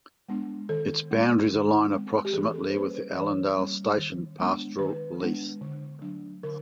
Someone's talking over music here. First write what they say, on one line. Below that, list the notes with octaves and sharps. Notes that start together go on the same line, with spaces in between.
Its boundaries align approximately with the Allandale Station pastoral lease.
G#3 B3 D4
D#3 A4
G#3 C4
D#3
G#3 C4
G4
E3 G#4
G#4
A4
C5
G3 A#3 C#4 B4
C5
E3 C#5
G3 A#3 C#4
D#3
G#3 B3 D4
D#3 B4
G#3 B3 D4
D3
F#3 A3 D4
D3 A#4